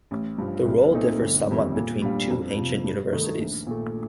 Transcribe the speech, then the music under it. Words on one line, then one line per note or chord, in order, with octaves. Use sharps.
The role differs somewhat between the two ancient universities.
A1
G2 F3
C2
A#2 A3 C4 D#4
G1
F2 D#3 G3
A#2
G3 D4 F4
F2
C3 F3
G2
D#3 A3 D#4
A#1
A#2 A3